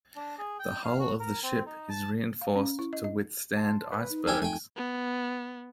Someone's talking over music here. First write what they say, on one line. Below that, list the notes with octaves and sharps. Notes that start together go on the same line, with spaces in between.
The hull of the ship is reinforced to withstand icebergs.
D4
G#4
G5
F5
F#4
A#4
C4
D#4
A5
F5
C#4
E4
D#5
D#5
A5 C6
B4
D#4
F2 D4 E4 G4 G#5
F2 A3 G5 G#5
B3